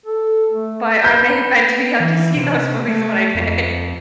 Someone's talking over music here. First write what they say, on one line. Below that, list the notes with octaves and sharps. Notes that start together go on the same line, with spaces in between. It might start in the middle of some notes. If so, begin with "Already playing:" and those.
But I may have been too young to see those movies when I did.
A4
A3
B4 G6
E3
C3
A3
F2